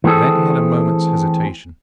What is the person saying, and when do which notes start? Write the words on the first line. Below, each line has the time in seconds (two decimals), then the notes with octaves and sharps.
Then he had a moment's hesitation.
0.04 E3 A3 C4 G#4 A4